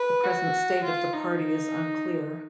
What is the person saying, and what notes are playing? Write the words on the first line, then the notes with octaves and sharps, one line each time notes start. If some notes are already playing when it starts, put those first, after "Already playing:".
The present state of the party is unclear.
Already playing: B4
F#4
F4
D#4